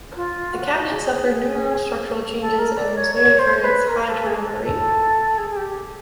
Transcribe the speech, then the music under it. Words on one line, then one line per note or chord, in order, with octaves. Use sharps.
The cabinet suffered numerous structural changes and was noted for its high turnover rate.
F4
F#4
G#4
A4
A#4
D5
C#5
C#5
C5
B4
A#4
A4
A4
G#4
A4
A4
G#4
G#4
G4